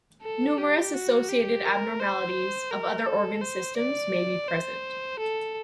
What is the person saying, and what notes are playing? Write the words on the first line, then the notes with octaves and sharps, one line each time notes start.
Numerous associated abnormalities of other organ systems may be present.
A4
G4
F#4
G4
A#4
C5
A#4
A4
C5
D5
C5
A4